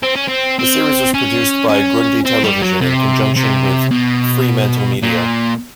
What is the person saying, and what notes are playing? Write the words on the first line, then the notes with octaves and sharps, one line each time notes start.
The series was produced by Grundy Television in conjunction with FremantleMedia.
C4
C#4
C4
C4
C#4
C#4
C4
G3
F#3
C3
C3
B2
A#2